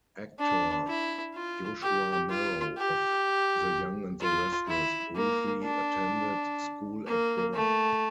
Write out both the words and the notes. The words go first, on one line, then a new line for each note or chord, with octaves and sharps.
Actor Joshua Morrow of "The Young and the Restless" briefly attended school at Gore.
D4
E4
F4
G4
F4
G4
F4
E4
A#3
D4
A#3
A3